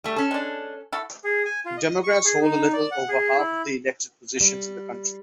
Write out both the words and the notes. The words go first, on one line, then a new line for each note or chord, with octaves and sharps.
Democrats hold a little over half of the elected positions in the county.
G3 A3
C#4 A4
G#3 D4
E4 F#4 A4
G#4
G#5
F4
D#5
C#6
G#4
D#4
D5
F#5
G#4
E4
G3